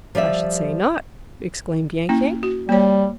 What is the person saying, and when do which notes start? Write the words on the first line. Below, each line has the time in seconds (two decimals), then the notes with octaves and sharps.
"I should say not!" exclaimed Yank-Yank.
0.15 F3 G3 D5 E5
2.09 A#3 C#4 E4
2.43 F#4
2.69 G3 A#3 C#5